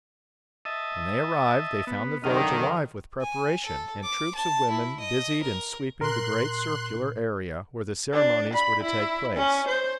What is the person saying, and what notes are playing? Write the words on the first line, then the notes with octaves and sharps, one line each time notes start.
When they arrived, they found the village alive with preparation, and troops of women busied in sweeping the great circular area where the ceremonies were to take place.
D#5 E5 A5
B3
F#2 D3 D#3 D#5 F6
G#5
A4
D6
A5
E4
D#5
A#4
A#2 A#4 C6 F#6
D4
B5
E4
C#4
C5